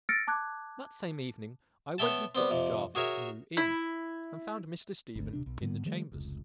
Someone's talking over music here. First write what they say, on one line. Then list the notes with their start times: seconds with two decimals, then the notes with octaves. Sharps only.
That same evening I went with Dr. Jervis to New Inn and found Mr. Stephen in the chambers.
0.09 E6 F6 A6 A#6 C#7 D7
0.27 A5 D6 F#6 G#6
1.98 B3 C#5 E5 G5 A5
2.35 G3 B3 C4
2.50 F2 C3
2.95 F#4 G#4 A#4 C#5 E5
3.57 E4
5.16 G#1 D2
5.33 D#1 C3 D4
5.46 B1
5.61 G#2 D3 G3 B3
5.85 D#3 F3 G3 A3
6.12 F1 C#2